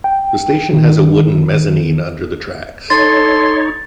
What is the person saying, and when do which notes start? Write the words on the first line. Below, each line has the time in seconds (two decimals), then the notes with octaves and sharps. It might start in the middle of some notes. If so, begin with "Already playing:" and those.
The station has a wooden mezzanine under the tracks.
0.04 G5
0.73 D#3
2.90 D#4 A4 C#5 C6 A6